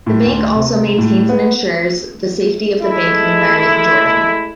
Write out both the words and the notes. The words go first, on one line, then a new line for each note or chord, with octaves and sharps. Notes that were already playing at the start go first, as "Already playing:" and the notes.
The bank also maintains and insures the safety of the banking environment in Jordan.
A2
D2
C3
A2
B3
G#3 A3 E4